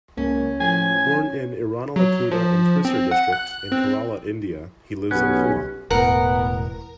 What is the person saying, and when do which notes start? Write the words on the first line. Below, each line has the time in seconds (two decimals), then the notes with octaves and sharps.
Born in Irinalakuda in Thrissur district in Kerala, India, he lives in Kollam.
0.17 C#2 A#3 C#4
0.60 A2 F3 G#5
1.96 F#3
2.31 F3
2.85 C4
3.11 F#5
3.33 F#6
3.72 C4
5.11 B1 B3 C#4 G4 F#6
5.90 E1 A2 B3 A#4 F#5